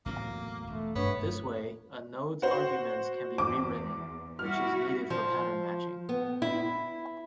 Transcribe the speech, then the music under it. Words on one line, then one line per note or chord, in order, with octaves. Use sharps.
This way, a node's arguments can be rewritten, which is needed for pattern matching.
E2 A2 F#3 A#3
E1 A3
G2 A3 B3 D4 C#5
F#4 C5
E2 D6
G3 E4 F#4 F6
F3
B3
E4